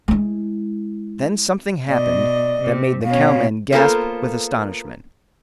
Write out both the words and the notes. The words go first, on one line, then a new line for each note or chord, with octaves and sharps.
Then something happened that made the cowmen gasp with astonishment.
G#3 E4
B2 D5 D#5
C3
B2 C#4 F5
A#3 B3 F4 A4 A#4 C5